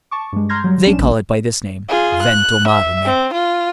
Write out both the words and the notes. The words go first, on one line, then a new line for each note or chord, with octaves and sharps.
They call it by this name--Ventomarme.
A5 C#6 D6
G2 G#3
A#5 C6 F6 G6 G#6 A#6
F#3 G3
A#1 C#4 D4 E7
A1 A#3
F4 G#4
F#6
E5
C4
F4